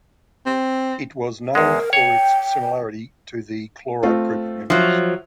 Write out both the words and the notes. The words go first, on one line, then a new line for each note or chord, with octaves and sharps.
It was named for its similarity to the chlorite group of minerals.
C4
E2 G#3 A#4
C#5 G5
A3 C4 F4
F3 F#3 E5